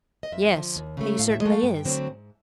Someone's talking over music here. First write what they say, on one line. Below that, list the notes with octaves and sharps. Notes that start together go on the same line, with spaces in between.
"Yes, he certainly is."
D#5
F2 E5
D3 F3
D#2
C#3 F#3 A3
A2 F5
E5
F#3 A3 D#5
F5
G2 G5
D3 F#3 A3 C4
G#2